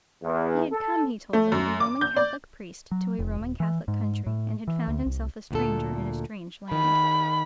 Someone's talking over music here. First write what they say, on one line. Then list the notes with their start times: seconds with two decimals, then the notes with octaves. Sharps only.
He had come, he told them, a Roman Catholic priest to a Roman Catholic country, and had found himself a stranger in a strange land.
0.24 E2
0.73 A4
1.33 A3
1.52 F#2
1.80 D6
2.01 G6
2.17 D5
2.91 F#3
3.19 F1
3.39 D#1
3.60 E3
3.88 G#2
4.27 A2
4.68 E3
4.88 D2
5.06 C2
5.51 D2 A#2 A4
6.72 D#3 B5